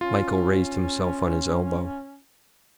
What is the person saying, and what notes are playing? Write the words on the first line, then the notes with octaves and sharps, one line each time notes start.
Michael raised himself on his elbow.
C#4 F4